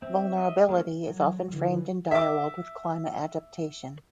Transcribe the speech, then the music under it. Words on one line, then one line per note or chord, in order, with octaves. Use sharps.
Vulnerability is often framed in dialogue with climate adaptation.
C4 E5
D#5
G#3 A#3 C#4
F#3
D3 E3
E5 D6